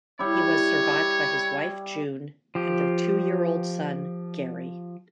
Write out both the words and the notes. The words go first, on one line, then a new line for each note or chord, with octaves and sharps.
He was survived by his wife, June, and their two-year-old son, Gary.
G3 E4 C#5
F3 G4